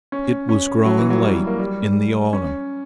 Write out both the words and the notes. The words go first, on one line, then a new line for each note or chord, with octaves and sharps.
It was growing late in the autumn.
C#4
C#4
F#3
E3
F#3
G3
A#3
G3
C#4